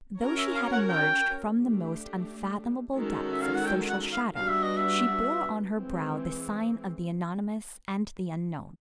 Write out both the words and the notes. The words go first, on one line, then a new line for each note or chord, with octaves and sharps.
Though she had emerged from the most unfathomable depths of social shadow, she bore on her brow the sign of the anonymous and the unknown.
C#4 F#4 A#4 C#5
E5
F5
F#5
G5
A3 D4 G4
D#3 G#3 C#4 F#4 A4
E5
F5
F#5
G5
F#5
F5
G3 B3 D4 F#4 F5
E5
D#5
E5
E3 G#3 C4